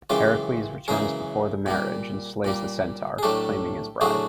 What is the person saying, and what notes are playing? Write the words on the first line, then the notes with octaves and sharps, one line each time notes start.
Heracles returns before the marriage and slays the centaur, claiming his bride.
F#2 C#3 E3 G#3 F4 G4
F#2 C#3 E3 G#3 G#4 A#4
A#2 G3 A#3
A#2 G3 A#3
G#4
A2 F#3 A3 D4 G4 A4
A2 F#3 A3 D4 F#4 G#4